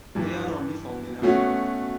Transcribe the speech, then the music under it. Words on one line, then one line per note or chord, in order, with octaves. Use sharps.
They are only found in Africa.
G2 E3 G3
B2 A3 C#4 F#4